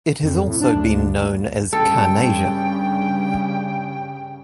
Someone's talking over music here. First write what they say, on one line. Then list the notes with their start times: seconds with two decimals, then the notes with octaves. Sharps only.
It has also been known as "Carnaysia".
0.23 F2
0.47 A2
0.61 D4
0.74 D2
1.73 G2 C#3 G3 A4 G5